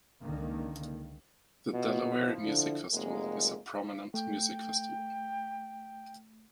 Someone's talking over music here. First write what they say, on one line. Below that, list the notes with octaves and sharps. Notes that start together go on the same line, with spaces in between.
The Delaware Music Festival is a prominent music festival.
C#2 D3 D#3 A#3
B2 E3 F4
F3 E4
D3
F1 G#3 A#3
A3 G5